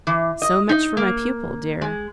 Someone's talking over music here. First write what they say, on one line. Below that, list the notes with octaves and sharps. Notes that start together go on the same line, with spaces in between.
So much for my pupil, dear!
E3
D#5
D#4
A#3
G#3